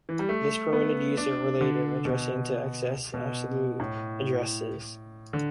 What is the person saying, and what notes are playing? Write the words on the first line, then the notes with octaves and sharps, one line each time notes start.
This permitted use of relative addressing to access absolute addresses.
E3
G3
A3
B3
D4
D3
B2
B2
A2
D3